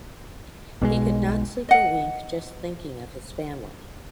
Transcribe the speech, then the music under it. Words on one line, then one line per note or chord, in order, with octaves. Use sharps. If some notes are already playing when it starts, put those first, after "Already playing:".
He could not sleep a wink just thinking of his family.
B1 B2 G3 G#3
D#5 F#5